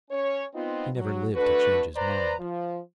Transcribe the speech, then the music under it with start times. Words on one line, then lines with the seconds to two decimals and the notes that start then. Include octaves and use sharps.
He never lived to change his mind.
0.11 C#4 C#5
0.53 B3 C4 D#4 F4
0.94 F#3
1.34 D3 A3 D4 F#4 B4
1.96 B4 C5 D5 A#5
2.39 F3